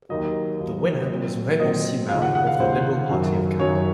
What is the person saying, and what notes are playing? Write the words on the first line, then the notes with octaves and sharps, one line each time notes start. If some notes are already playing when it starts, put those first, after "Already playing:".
The winner was Raymond Simard of the Liberal Party of Canada.
D#2 D#3 F#3 D#5
D#2 D#3 F#3
A#2 F#3 C4
A#2 F#3 C4 D#5
D#2 C#3 F3 F5
F#5
F#5
F5
D#2 C#3 F3 C5
F#2 D#3 F#3
F#2 D#3 F#3 C#5